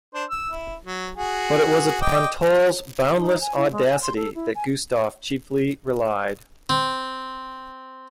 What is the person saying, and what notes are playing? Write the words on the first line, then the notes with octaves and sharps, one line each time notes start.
But it was upon Toll's boundless audacity that Gustav chiefly relied.
D4 C5
E6
E4
F#3
F#4 G#4
D#5 G5 D6
D#4
G#5
E4
G#3
G#5
C6
A4
E4
G#5
C4